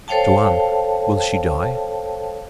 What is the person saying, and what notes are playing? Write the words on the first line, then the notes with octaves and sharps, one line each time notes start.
"Tuan, will she die?"
A4 C5 C#5 F5 G5 A5